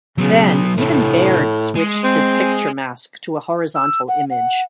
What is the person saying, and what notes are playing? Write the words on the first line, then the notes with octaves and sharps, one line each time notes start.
Then even Baird switched his picture mask to a horizontal image.
C#3 F#3 B3
A2 C3 E3
G#3
C4
E6
F#5
F#5